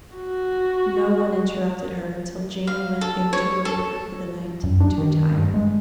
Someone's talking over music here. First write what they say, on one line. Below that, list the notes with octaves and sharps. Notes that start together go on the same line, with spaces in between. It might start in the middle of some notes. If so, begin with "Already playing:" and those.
No one interrupted her until Jane went in to robe her for the night, and to retire.
F#4
F5
A4
C#5
A4
F#2
D4
D#3
G2
G#3